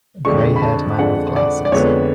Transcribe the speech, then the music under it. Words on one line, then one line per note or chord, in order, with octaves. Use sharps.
Grayhaired man with glasses.
F2 D3 G#3 D4 C#6
B5
A5
F2 D3 G#3 D4 F#5
D5
D5
F2 D3 G#3 B3 D4 C#5